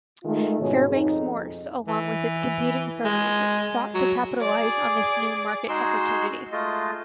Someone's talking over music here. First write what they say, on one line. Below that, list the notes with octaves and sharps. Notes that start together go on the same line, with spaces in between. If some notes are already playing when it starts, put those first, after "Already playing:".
Fairbanks-Morse, along with its competing firms, sought to capitalize on this new market opportunity.
D#3 G#3 A3 F4
G#2 B2 G#4 C#5
F2 D#4
E3
G#3
F#3
G#4 D5
G#3 D#4 F#4 G#4 C6 E6
G#3 A3 F4 D#5